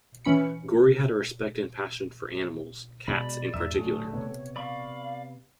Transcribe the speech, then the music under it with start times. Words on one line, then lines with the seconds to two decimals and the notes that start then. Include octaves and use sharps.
Gorey had a respect and passion for animals, cats in particular.
0.25 E3 C#4 B5 C#7
3.08 B2 G#3 D5 B5
3.54 E2 G#2 E5
3.74 A2 D3 F#3 A3 G#4
4.13 C3 B3 C#5
4.56 D5 F5 B5 C#6